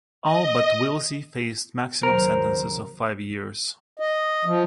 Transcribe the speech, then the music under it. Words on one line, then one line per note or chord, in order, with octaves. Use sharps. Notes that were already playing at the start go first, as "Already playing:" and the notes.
All but Willsey faced maximum sentences of five years.
D#5
D#2 C#3 F#3 A#4 C5
D#5
F3